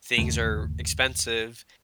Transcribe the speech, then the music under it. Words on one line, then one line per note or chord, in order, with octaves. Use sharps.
things are expensive,
G1 D#2 C#3 A3